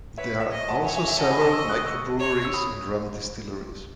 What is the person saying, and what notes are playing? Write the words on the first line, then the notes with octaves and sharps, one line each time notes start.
There are also several microbreweries and rum distilleries.
B4 C#5 E5
C#5 E5
C#5 D#5
F#5 A5
C#5 E5 G#5
E5 G#5
E5 G#5
D#5 F#5 A5
G#5 B5
A5 C#6
C#6 E6
D#6 F#6
C#6 E6
C#5
E6
B5 D#6